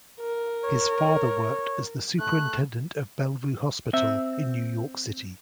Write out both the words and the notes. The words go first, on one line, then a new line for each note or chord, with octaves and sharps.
His father worked as the superintendent of Bellevue Hospital in New York City.
A#4
C#5
A3 F#6
C4 E5